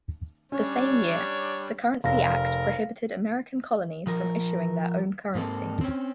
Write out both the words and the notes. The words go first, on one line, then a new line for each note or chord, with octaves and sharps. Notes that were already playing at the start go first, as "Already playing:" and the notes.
The same year, the Currency Act prohibited American colonies from issuing their own currency.
G3 C#4 D4 C#5
F1 A#4 F5 A#6
F3 A#4
G#2 A#3 C4 A4
C4 C#4